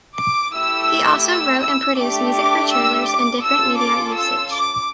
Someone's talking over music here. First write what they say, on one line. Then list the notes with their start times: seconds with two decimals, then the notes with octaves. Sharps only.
He also wrote and produced music for trailers and different media usage.
0.17 D6
0.53 A3 E4 G4 E6
1.26 E6
1.62 E6
1.98 A3 D4 G4 D6
2.34 D6
2.70 E6
3.06 D6
3.42 C#4 F4 A4 E6
3.78 D6
4.15 E6
4.51 D6